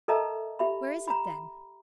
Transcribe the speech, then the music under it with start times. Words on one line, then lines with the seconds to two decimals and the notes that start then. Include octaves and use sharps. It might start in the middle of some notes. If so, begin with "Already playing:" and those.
"Where is it, then?"
0.08 A4 A#4 D#5 E5 A5 A#5
0.59 G4 E5 B5
1.08 A#5 B5